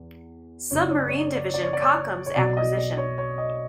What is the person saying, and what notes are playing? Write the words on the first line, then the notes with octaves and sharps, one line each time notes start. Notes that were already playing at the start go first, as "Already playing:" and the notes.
Submarine division Kockums acquisition.
Already playing: E2 B3
F#1 F#2 C#3 C#5
D5
C#5
D5
C#5
D5
C#5
D5
C#5
D5
C#5
D5
C#5
C#5
B1 B2 F#3 D5
D#5
D5
C#5
C#5
D#5